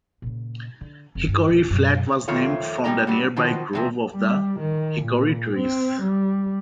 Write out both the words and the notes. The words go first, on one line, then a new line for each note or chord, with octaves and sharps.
Hickory Flat was named from a nearby grove of hickory trees.
A#2 C#3
D3
F1
G2
D#1
F#2 B2
F2 D#3 A3 F4 C#5
B2 G3 B3 G4 D#5 A#5
G2 F#3 G3
B2 D#3 F3
E2 C3 F3
G3
D#3
A#2
C4
G3